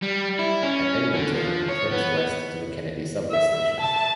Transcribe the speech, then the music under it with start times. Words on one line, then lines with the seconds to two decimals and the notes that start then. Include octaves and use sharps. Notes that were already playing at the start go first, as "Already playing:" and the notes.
At Eglinton, it turns west to the Kennedy subway station.
0.03 G3
0.39 E4
0.63 C#4
1.14 D3
1.35 F3
1.68 C#5
1.91 B3
3.31 E5
3.81 A5